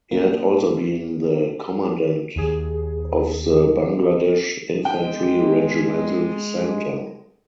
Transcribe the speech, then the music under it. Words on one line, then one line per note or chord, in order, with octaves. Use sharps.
He had also been the Commandant of the Bangladesh Infantry Regimental Center.
A#3
D#2 G#4
G#3 G5